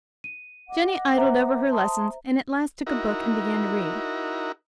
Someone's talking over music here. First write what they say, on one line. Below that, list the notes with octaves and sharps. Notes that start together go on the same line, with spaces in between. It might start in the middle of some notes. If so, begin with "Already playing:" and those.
Jenny idled over her lessons, and at last took a book and began to read.
D#7
D#5 F#5 D6
C5 E5 A#5
A5 C6 D#6
D#4 E4 F#4 A#4